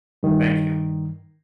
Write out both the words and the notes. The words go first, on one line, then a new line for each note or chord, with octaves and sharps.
Thank you.
G2 D#3